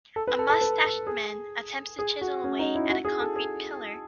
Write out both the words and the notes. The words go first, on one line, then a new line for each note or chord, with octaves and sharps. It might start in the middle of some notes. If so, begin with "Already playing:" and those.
A mustached man attempts to chisel away at a concrete pillar.
A4
B4
A4
A4
B4
A4
G#4
G#4
F#4
C#4
D#4
E4
F#4
G#4
A4
G#4